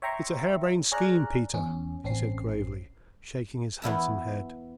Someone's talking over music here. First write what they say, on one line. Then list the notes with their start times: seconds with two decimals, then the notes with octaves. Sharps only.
"It's a harebrained scheme, Peter," he said gravely, shaking his handsome head.
0.02 C#5 E5 G5 A#5 C6 C#6
0.92 G#4 C#5 D5 A#5 F6 F#6
1.54 E2 C#4
2.04 A1 C4 C#4 C7
3.82 E2 B3 E4 A5